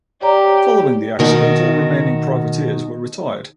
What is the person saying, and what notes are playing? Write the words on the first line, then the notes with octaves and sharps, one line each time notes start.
Following the accident, all remaining Privateers were retired.
G4 C#5 D5 A#5
B2 D#3 F#4